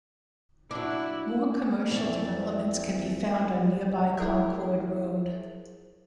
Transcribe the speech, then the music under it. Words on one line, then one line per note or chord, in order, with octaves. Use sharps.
More commercial developments can be found on nearby Concord Road.
F#3 D4 E4
F2 E3 C4 G4 D5 E5
E4 G#4 A#4 C#5 E5